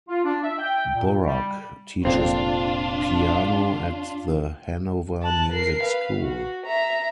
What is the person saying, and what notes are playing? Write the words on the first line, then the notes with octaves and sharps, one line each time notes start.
Borac teaches piano at the Hanover Music School.
F4
D4
E5
G5
A#2
G3
F1 F2 A#2 C4 D4 F4
A5 F#6
A#4 C7
B4 F5
F#4
E5 A#5